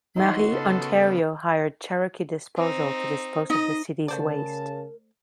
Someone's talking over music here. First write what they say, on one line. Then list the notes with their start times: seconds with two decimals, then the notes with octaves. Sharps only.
Marie, Ontario hired Cherokee Disposal to dispose of the city's waste.
0.16 E3 D#4 F#4 C6
0.52 C#3 B3 A4
2.57 C4 D#4
3.50 D#4 D#5
4.08 C#3 A3 A#4 C5 D5 A5